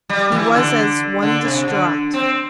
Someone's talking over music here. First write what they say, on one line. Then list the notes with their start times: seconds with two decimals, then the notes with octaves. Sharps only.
He was as one distraught.
0.09 G3
0.32 E3
0.55 D3
1.22 D3
1.45 C3
1.68 D3
2.14 C4